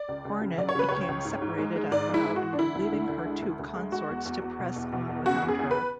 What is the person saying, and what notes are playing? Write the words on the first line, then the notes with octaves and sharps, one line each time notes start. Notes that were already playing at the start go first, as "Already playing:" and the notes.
"Hornet" became separated en route, leaving her two consorts to press on without her.
Already playing: D5
C#2
C#2
C#3
F#3 D5
C#5
C#3 B4
C#2 C#5
C#2
G#2
G#2
G#3
G#3
G#2 D5
G#3 E4
G#3
F#4
E3
D4
D3 E4
D2
D3
D2
G#3
D2
D2
G#3
G#3 F#4
E2
E2
E2
B2
E2
B2
E2
C#3 F#4
E2
G#4
E2
B4